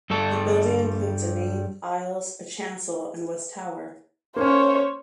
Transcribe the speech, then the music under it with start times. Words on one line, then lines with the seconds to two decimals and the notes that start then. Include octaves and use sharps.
The building includes a nave, aisles, a chancel and west tower.
0.10 G2 G3 A4 A5
4.36 A#3 C#4 C5 C#5